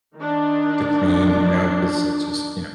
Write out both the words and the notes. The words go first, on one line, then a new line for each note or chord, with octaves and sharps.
to clean, you know, 'cause it just you know?
D#3 D4